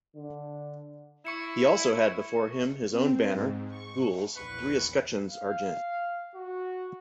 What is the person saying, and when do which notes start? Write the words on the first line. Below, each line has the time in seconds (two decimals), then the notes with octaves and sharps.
He also had before him his own banner, gules, three escutcheons argent.
0.16 D3
1.25 E4 C#6 C#7 E7
2.91 C4
3.29 G#2
3.69 C#6
4.37 A#1 E2 B4 C#6
5.30 F5
6.35 F#4